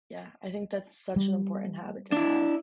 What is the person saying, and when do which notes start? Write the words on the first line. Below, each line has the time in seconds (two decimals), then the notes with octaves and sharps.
Yeah, I think that's such an important habit to have.
1.16 G3
2.12 D4 E4